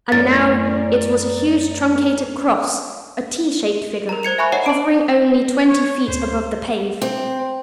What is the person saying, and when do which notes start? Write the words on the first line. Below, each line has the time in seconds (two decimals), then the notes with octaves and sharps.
And now it was a huge truncated cross, a T-shaped figure, hovering only twenty feet above the pave.
0.12 F#2 A2 A#4 D5 C#6 A6
4.09 A#4 A#5
4.23 C5 G#6 C#7 F7
4.38 E5 G#5 B5 C#6 F#6
4.52 C#5 D#5 F#5 A#5 C7
4.66 D7 F#7
5.66 C#5
6.08 D2 C5
7.02 C4